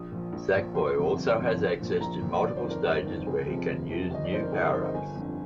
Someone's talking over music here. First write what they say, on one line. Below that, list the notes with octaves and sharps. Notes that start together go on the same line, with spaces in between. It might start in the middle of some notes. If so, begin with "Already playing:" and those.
Sackboy also has access to multiple stages where he can use new powerups.
Already playing: A#1 D#6
A#2 F3
A#1
A#2 F3
G1 C6
F2 C3 F3
G1
F2 C3 F3
A#1
A#2 F3
A#1 A#5
A#2 F3
G1 D5
C5
F2 D#3
A#4
G1
F2 D#3
F1 G#4
F2 C3 F3
F1
F2 C3 F3
G1 D#5
D5
F2 D#3 C5
A#4
G1 G#4
A#4
F2 D#3 C5
D#5
G1 G#5
F2 D3